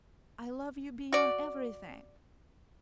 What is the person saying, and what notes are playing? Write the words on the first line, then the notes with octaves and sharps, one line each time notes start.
I love you beyond everything....
F#4 D5